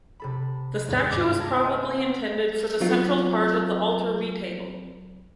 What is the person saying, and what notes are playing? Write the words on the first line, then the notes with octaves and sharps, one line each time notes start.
The statue was probably intended for the central part of the altar retable.
C3 A4 B5
D#2 G#2 G3
G2 G#3 D6
A4 A5 A#5 G#6 A#6
D#5 E5 F#5 G#5 F6
F#3 C4 F4